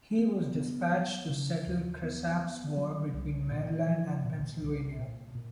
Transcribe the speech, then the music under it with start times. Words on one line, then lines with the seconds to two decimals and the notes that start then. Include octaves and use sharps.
He was dispatched to settle Cresap's War between Maryland and Pennsylvania.
0.18 B3
0.55 B3
0.92 F#3
1.29 C#3
1.66 D#2
2.03 B3
2.40 B3
2.77 F#3
3.14 C2
3.51 A#2
3.87 F3
4.24 A#2
4.61 C2
4.99 A#2
5.35 A#2